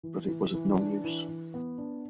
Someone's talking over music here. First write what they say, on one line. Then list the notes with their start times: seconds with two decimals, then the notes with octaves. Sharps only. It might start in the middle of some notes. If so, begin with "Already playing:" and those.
But it was of no use.
0.03 E3
0.29 E3
0.54 E3
0.79 D4
1.04 E3
1.28 E3
1.54 B3
1.78 D4